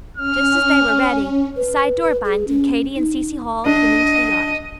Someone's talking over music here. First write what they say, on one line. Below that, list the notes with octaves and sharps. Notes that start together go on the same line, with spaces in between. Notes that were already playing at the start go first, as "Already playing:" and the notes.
Just as they were ready, the side-door banged, and Katy and Cecy Hall came into the yard.
C#4 F6
B4
B4
G#4
C#4
D#4
D4 D#5